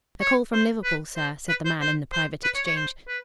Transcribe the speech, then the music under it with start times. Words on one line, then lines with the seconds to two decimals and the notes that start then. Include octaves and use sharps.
"A call from Liverpool, sir," said the man in the private exchange.
0.21 C#5
0.53 C5
0.84 B4
1.16 C5
1.49 B4
1.65 C5
1.81 C5
2.12 C5
2.44 B4
2.55 C#5
2.66 C#5
2.76 C5
3.08 B4